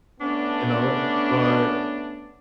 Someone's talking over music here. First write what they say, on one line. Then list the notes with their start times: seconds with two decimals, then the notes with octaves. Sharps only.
you know? But,
0.21 A3 B3 C#4 D4